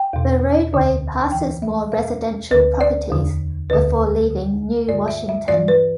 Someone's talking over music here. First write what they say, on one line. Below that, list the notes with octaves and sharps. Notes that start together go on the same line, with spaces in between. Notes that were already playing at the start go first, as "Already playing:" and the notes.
The roadway passes more residential properties, before leaving New Washington.
Already playing: G5
E2 B2
D2 D3
G2 E3 G5
E5
E2 B2 E5
D2 D3 B4
D5
E2 D3
D2 D3 B4
D2 D3
G2 D3 D5
E5
E5
G2 E3 D5
B4